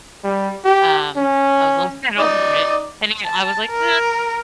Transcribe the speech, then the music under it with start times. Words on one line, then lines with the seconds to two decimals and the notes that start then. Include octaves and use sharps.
um, I was a little scared of it and, again, I was, like, "No"
0.24 G3
0.65 G4
1.17 C#4
2.19 D#4 D5
3.25 A5
3.70 A#4